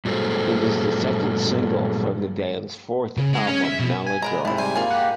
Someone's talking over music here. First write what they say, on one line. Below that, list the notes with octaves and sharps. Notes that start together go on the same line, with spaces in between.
It is the second single from the band's fourth album, "Maladroit".
G2 A#2 F#3 G#3 A4 C5
C#3
G#3
C#4
E5
B2
G#5
G#3 B3 A#4 A#5
G#2 C3 A3 E4
G3 C5 G#5
A#3 F4 G#4 G#5
G4 F#5